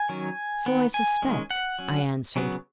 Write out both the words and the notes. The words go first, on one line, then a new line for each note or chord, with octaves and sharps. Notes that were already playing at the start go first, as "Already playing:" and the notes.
'So I suspect,' I answered.
Already playing: G#5
D#3 F#3 C#4
D#3 B3
G#5
D#3 G#3 C#4
F#5
F#3 C#4
C#3 F#3 B3